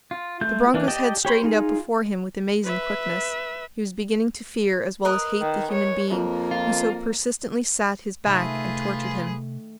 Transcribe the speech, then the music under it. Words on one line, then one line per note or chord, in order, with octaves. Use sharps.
The broncho's head straightened out before him with amazing quickness. He was beginning to fear as well as hate the human being who so persistently sat his back and tortured him.
F4
A3 F4 G6
E3 A#3 D4
G4 D5 D#5 G5 A5
G4 C#5 B5 C6
D#4 F4 G#4
B4 E5
A#4 B4 D#5
D#3
C#5
F2 A#3
F4
C3 D#3 A3 F4 G#4 B4 E5